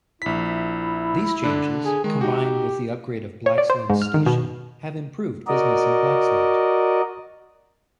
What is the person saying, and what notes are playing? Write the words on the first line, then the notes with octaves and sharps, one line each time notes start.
These changes, combined with the upgrade of Blaxland Station, have improved business in Blaxland.
A#1 E4 B6
D3 D4
G#4
D#3 G#3
D#4 F#4 G4
C#5
D5
C5
G#2
F6
D#3
B2
F#4 A#4 D5 D#5